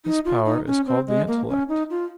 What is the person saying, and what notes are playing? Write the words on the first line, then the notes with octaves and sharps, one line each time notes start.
This power is called the intellect.
D#4
F4
D#4
C#4
C4
G#3
A#3
C#4
D#4
F4